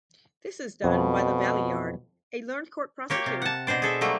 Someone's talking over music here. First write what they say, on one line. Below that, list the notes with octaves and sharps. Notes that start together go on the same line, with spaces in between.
This is done by the Valeyard, a learned Court Prosecutor.
F2 B2
A#3 G4 C#5
C3
F#5 A5
B2 D4 C5 D5
G#4 A4 E5
F#3 G3 A3 A#3